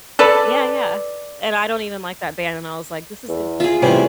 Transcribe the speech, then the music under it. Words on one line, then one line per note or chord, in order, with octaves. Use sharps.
Yeah, yeah, and I don't even like that band, and I was, like, "This is interesting."
A4 B4 D5
E2
F4 G#4 E5
A2 C3 E3 G3 C4 C#4